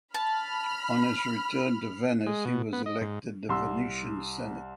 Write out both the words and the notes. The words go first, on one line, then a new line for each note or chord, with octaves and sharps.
On his return to Venice he was elected to the Venetian Senate.
A5 B5 F6
G#3
B2
B3
D#5
G#2
C2 C6 E6